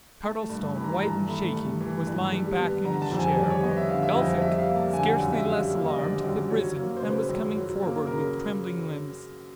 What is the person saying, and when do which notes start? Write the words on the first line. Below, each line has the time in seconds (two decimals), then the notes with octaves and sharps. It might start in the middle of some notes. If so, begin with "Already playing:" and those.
Cardlestone, white and shaking, was lying back in his chair; Elphick, scarcely less alarmed, had risen, and was coming forward with trembling limbs.
0.24 A3 A5
0.49 G2
0.76 E3 B5
0.84 A#5
0.93 A5
1.02 G2 A#5
1.28 A3 B5
1.54 G2
1.80 E3
2.07 G2
2.33 G3
2.59 B3
2.84 D3 A#5
3.02 A5
3.11 F2
3.19 G#5
3.37 G3 D5
3.50 C#5
3.63 B3 D#5
3.77 E5
3.89 D3 F5
4.03 E5
4.15 F2 D#5
4.28 F5
4.42 G3 E5
4.54 E5
4.59 F5
4.67 A#3
4.76 A5
4.93 D3 G#5
5.07 F#5
5.20 F#2 F5
5.33 E5
5.46 G3 F5
5.73 A#3
5.89 D#5
5.98 D3 D5
6.24 F#2
6.50 F#3 C#5
6.77 A#3
6.97 C5
7.03 C#3 B4
7.29 F#2
7.55 F#3
7.82 A#3
8.07 C#3 A#4